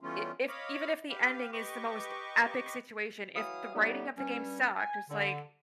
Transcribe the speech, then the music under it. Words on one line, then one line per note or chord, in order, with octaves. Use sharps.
I if even if the ending is the most epic situation, if the writing of the game sucked, it's like,
E3 G3 A3 B3 C#4 F4
C#5 D#5 F5 B5 D6
G4 B4 F5
G4 B4 D#5 C#6 D6
E3 F#3 E4 F5 D#6
A2 D3 G3 B3 D#4 G4
G2 G3 C#4
G#5
D3